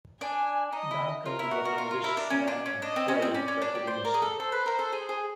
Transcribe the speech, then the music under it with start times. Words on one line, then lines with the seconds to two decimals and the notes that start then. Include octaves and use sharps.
Duncan was an ambitious man who craved recognition.
0.21 D4 G#5
0.73 D#4 D#5
0.91 E4
1.25 F4 A#4
1.39 E4
1.51 F#4
1.65 F#4
1.78 F4
1.91 F4
2.04 E4
2.17 D4
2.30 C#4
2.48 D4
2.66 C#4
2.82 D4 D#5
2.96 C4
3.08 C#4
3.22 C4
3.34 C#4 D5
3.48 C#4
3.62 D4
3.75 G4
3.87 C5
4.05 A#4
4.14 G#4
4.22 A4
4.39 A4 C5
4.52 B4
4.66 A#4
4.79 A4
4.93 G#4
5.09 G#4